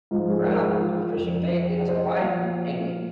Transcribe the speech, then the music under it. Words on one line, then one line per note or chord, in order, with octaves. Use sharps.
Brown, of Christian faith, has a wife, Ami.
G#2 F3 F4
G#4
A#4
G#4
F4
F2 F3
G#4
C5
D#5
A#2 F3 F5